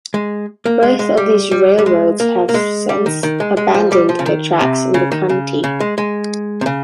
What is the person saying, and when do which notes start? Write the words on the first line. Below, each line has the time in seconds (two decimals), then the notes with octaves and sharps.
Both of these railroads have since abandoned their tracks in the county.
0.14 G#3
0.66 A#3
0.83 G#3
0.99 G#3
1.17 G3
1.51 G3
1.79 G3
1.86 G#3
2.20 A#3
2.49 A#3
2.54 G#3
2.89 G3
3.06 D#3
3.23 D#3
3.40 G#3
3.57 G#3
3.74 F3
3.92 G3
4.09 F3
4.19 C#3
4.26 D#3
4.61 C3
4.94 C#3
5.12 D#3
5.29 C#3
5.64 C#3
5.80 G#3
5.98 G#3
6.61 C3
6.66 C#3